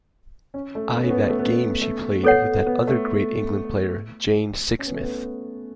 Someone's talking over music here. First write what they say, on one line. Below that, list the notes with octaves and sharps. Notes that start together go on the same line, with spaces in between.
I that game she played with that other great England player Jane Sixsmith.
C#4
A3
B3
C#4
B3
A3
B3
A3
B3 A4 C#5 F#5
B3
A3
C#4
B3
A3
B3